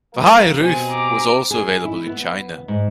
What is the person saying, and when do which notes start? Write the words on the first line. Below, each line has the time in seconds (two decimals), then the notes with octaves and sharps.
The high roof was also available in China.
0.14 G3 A#4 F5
0.60 B2 C4 G4 G#5
0.88 A#5 D6
1.51 G#4
1.85 E4
2.06 B3
2.68 G#2